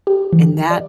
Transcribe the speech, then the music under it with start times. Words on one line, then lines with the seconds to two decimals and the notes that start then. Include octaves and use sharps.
And that
0.07 G4
0.33 E3
0.71 D5